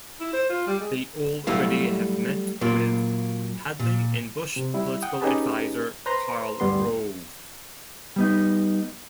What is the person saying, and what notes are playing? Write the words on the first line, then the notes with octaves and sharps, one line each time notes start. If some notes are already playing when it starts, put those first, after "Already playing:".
They already have met with Hadley and Bush political adviser Karl Rove.
E4
C5
F4
G3
G#3
F#3 G3 A3 E4 F5
A#2 F#3 A#3 F4
A#2
C3
G3 E4
F#5 G5 D#6
C#4 D#4 G4 G#4 B4 A5
B4 C5 A#5 C6
D2 G2 G3 B3 C6
G3 B3 D#4